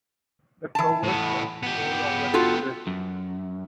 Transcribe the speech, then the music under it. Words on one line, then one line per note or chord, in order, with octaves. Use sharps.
The covered walk no longer exists.
E3 A5
A2 B3
B3 G4
F4 F#4 A4
F#2